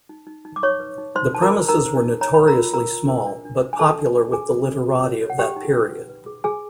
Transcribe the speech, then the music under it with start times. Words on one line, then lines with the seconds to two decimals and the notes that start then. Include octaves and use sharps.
The premises were notoriously small, but popular with the literati of that period.
0.09 D#4
0.27 D#4
0.45 D#4
0.56 D6
0.63 D#4 C#5 C#6
0.80 B4
0.98 D#4
1.15 D#4 C5 C6
1.33 C5 A5
1.42 A#4 A#5
1.51 C5
1.69 D#4 A#4 A#5
1.86 C5
2.03 D#4
2.21 C#5 A#5
2.34 C#5 B5
2.48 A#4 A#5
2.56 F4
2.74 A#4 A#5
2.91 A#4
3.09 A#4
3.26 D4
3.45 D4
3.62 C5
3.73 G#5
3.79 A4 C5 A5
3.97 D4
4.15 D4
4.32 G#4 A4 G#5
4.51 A4
4.69 A4
4.85 F#4
5.03 C#5
5.21 C#5
5.30 F#5
5.39 G4 G#4 G5
5.56 D#4
5.75 B4
5.91 B4
6.09 B4
6.26 G#4
6.44 G#4 G#5